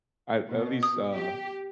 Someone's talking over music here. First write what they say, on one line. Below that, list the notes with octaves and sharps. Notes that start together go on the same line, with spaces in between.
I at least, uh,
B2
D#6
G4